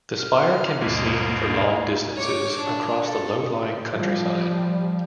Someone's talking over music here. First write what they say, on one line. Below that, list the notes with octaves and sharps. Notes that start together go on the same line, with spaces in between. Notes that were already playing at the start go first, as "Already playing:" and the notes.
The spire can be seen for long distances across the low-lying countryside.
F6
D#2 G#2 B2 G3 G#3 A#3
C#5 D6
D4
A4
F3 G3